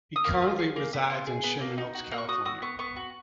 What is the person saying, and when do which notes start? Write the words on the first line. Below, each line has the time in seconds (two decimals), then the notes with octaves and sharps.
He currently resides in Sherman Oaks, California.
0.16 D#6
0.25 A#3 F6
0.42 F4
0.59 G#4
0.76 A#3
0.93 B3
1.10 F4
1.27 G#4
1.44 B3
1.61 A#3
1.78 D#4
1.95 F#4
2.12 A#3
2.18 C#6
2.29 F#4 D#6
2.45 F#4 D#6
2.62 B3 C#6
2.79 B3 C#6
2.96 F#4